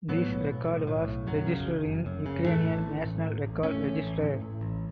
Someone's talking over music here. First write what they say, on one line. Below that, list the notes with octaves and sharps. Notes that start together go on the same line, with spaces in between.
This record was registered in Ukrainian National Record Register.
A2 F#3 B3
B1
B1
A2
A2
B1
F#2 F#3
C#3
F#1
F#1
F#2
C#3
A2 E3 A3
A1
A1
A2
A2
A1
A2 A3 C#4
A1
A1
A2
A2
A1